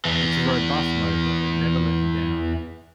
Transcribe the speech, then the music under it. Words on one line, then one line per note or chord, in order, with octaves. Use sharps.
It's a robust motor, it never let me down.
E2 E3